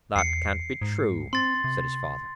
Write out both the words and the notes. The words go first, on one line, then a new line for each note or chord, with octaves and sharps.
'That can't be true,' said his father.
E2 C7 C#7
G#2
C4 C6 A6
C3